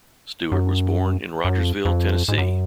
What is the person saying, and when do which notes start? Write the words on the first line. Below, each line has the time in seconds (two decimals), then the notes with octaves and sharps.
Stewart was born in Rogersville, Tennessee.
0.52 F#2
1.44 F#2
1.59 F2
1.85 F2
2.28 G#2
2.38 F#2